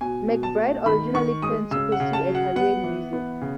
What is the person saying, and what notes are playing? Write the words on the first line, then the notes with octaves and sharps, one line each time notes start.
McBride originally planned to pursue a career in music.
B2 G#5
B2
A5
A3
D#3 B5
D#3 C#6
G#3 D#6
C#3 E6
F#5
C#3
A5
F#3
F#5
B3 F#5
E3
B3
C#3